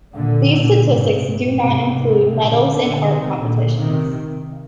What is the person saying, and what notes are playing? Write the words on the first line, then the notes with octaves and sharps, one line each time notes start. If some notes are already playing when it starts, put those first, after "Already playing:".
These statistics do not include medals in art competitions.
A#2 D3
A#2 D3
G#2 C3
G2 A#2
G#2 C3
G#2 C3
A#2 D3
A#2 D3
C3 D#3
A#2 D3
C3 D#3